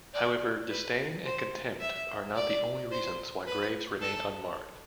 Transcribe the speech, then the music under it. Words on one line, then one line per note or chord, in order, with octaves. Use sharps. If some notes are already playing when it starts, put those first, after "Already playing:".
However, disdain and contempt are not the only reasons why graves remain unmarked.
D5
B4
C5
E5
D5
C5
B4
A4